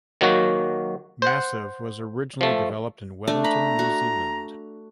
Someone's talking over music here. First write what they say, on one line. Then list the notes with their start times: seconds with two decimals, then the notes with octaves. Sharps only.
"Massive" was originally developed in Wellington, New Zealand.
0.21 D#3 F#3 A#3 F#4
1.22 C5 F#5
2.41 F3 A3
3.28 A3 D4
3.44 A#5 B5
3.79 F#4